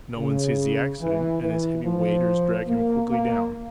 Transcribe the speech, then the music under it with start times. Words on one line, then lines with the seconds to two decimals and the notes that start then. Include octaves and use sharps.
No one sees the accident, and his heavy waders drag him quickly down.
0.18 C#3
1.01 E3
1.42 E3
1.84 F3
2.67 A#3
3.09 A#3